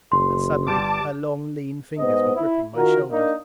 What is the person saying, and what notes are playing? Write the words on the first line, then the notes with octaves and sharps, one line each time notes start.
And suddenly her long, lean fingers were gripping my shoulders.
F#1 C6
G1 G3 A5 D6
G#2 G#3 B3 C5 D#5
E4
D#3 F4 F#4 A#4
A#3 D4 D#4